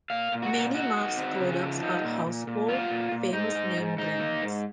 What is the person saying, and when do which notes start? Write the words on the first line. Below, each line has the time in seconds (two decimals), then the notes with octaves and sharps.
Many Mars products are household, famous-name brands.
0.10 A#2 F5
0.32 A#2
0.42 F#4
0.53 A#2
0.74 D#4 F#4
0.97 D#4
1.17 C4
1.40 C#3
1.61 F3
1.82 D#4
2.04 A#2
2.26 A#2
2.47 A#2
2.68 F#3 F4
2.91 A#2
3.12 A#2
3.33 G#2 D#4
3.55 G#2
3.77 G#2
3.98 G#2 D#4
4.20 A#3
4.42 G#2